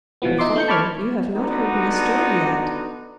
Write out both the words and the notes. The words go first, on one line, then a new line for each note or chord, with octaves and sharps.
"But, father, you have not heard my story yet."
B2 E3 F3 B3
D#4 E5 C6 D6
A3 G6 C#7
A5 B5 C#6 D6 F6 G#6
D3 B3 D4 D#4 F#4